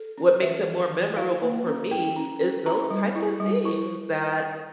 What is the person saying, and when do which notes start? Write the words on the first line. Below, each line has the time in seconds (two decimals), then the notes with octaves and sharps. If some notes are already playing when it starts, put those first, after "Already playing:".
what makes it more memorable for me is those type of things that
Already playing: A4
0.18 C#4
0.42 E3 E5
0.67 E3
0.92 E3
1.17 E4 F5
1.42 A#3
1.66 C#4
1.91 E4 G5
2.16 C#4
2.41 C#4
2.66 E4 A#5
2.90 G3
3.16 E4
3.40 G3
3.65 E4